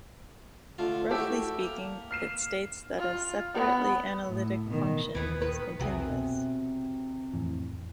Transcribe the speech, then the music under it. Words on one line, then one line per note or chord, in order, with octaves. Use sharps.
Roughly speaking, it states that a 'separately analytic' function is continuous.
D3 A3 F4
A3 E4 F#4 G4 A4
A#3
F6 C7 E7
F4
B3
A2
B2 D#3
D#2 A#2 E3 B3
D#3 B4
C2 F2 C3 F#4 G#4
B2
F2 A2 E3